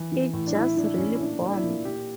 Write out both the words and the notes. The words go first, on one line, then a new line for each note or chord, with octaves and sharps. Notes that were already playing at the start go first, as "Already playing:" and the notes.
It just really bombed.
Already playing: E3
E3
A2
D4
E3 E4
E3 D4
A2 C#4
E4
A#2 D4
A#2 D4
E4
A#2
A#2 G4